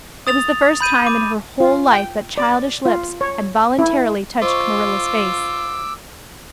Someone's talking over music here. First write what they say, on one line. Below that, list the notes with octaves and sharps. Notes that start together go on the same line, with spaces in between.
It was the first time in her whole life that childish lips had voluntarily touched Marilla's face.
D#6 A6 F7
B5 G6 D#7
D6
F4
G5
D5
F4
C#5
E4
F4 C5 D#5 C#6 D6 E6